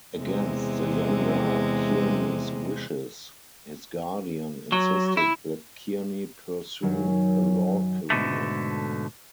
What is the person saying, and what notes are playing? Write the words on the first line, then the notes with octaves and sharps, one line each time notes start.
Against the younger Kearny's wishes, his guardian insisted that Kearny pursue a law career.
E2 C3 G#3
F#3
E4
F#2 D#3 F#3
G#2 B2 D3 A3